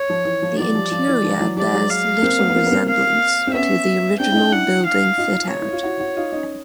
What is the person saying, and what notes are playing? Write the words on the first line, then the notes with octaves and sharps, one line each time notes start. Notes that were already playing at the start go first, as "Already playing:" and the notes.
The interior bears little resemblance to the original building fitout.
Already playing: C#5
F3
E3
F3
E3 F#3 D5
F3 G3
F3
E3
F3
E3 F#3
F3 G3 D5
F#3 G#3
F5
A#3 C4
A3 B3
B3
A#3 C4
B3
A#3 C4
F5
C4
B3 C#4 E5
C4 D4 G5
E4
C#4 D#4
D4 E4 F#5
F5
D#4 F4
C#5
E4
F4
E4 F#4
E4 F#4
D#4 F4
C#4 D#4